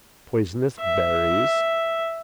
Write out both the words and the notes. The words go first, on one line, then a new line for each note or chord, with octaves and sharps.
Poisonous berries.
E5